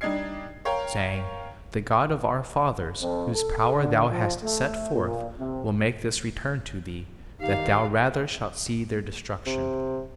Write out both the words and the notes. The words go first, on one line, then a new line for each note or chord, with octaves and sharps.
Saying: The God of our fathers, whose power thou hast set forth, will make this return to thee, that thou rather shalt see their destruction.
G3 D4 D#4 D#5 G#6 C7
A#4 C#5 F5 G5 A#5
F2
A4
D3
F3
A3
A#2
C3
D#3 D#4 G4 F5
C3